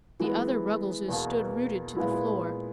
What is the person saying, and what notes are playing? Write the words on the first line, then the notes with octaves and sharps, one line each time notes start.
The other Ruggleses stood rooted to the floor.
E3 G#3 B3
E2 B2 A#3
A#2 G#3 B3 E4